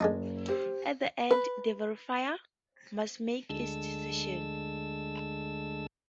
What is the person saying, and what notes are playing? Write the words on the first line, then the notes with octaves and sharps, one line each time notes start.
At the end the verifier must make its decision.
F#1 G#3 D4 D#4
G4 C5
B4
D2 D3 G#3 A5 E6